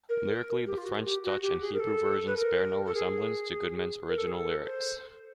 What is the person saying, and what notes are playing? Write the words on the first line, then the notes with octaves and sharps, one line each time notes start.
Lyrically, the French, Dutch and Hebrew versions bear no resemblance to Goodman's original lyrics.
A#4
G4
F4
F#4
G4
F#4
G4
G#4
A#4
A4
B4
A#4
A4
G#4
A#4
A4
G#4
A4
C5